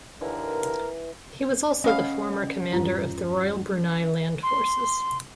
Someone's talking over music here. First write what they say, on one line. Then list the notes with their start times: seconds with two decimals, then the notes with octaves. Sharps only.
He was also the former commander of the Royal Brunei Land Forces.
0.21 D#2 D3 E3 A#4
1.84 G#3 B3 C#4 D#5 F5
2.73 E2 G2 F4
4.43 C6